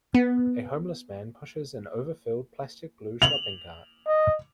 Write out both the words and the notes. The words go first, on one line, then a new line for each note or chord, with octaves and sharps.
A homeless man pushes an overfilled plastic blue shopping cart.
B3
F7 F#7
D#5